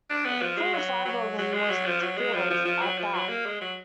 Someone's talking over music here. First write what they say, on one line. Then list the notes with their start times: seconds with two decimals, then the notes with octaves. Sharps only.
Four or five o' them was thrillers, at that.
0.10 D4
0.25 B3
0.42 F3
0.57 G#3
0.74 F#3
1.05 F#3
1.38 F#3
1.54 G#3
1.70 F#3
1.86 F3
2.02 F#3
2.17 G#3
2.34 F3
2.50 F3
2.65 F3
2.82 F#3
2.98 F3
3.14 F#3
3.29 A#3
3.46 G#3
3.61 F#3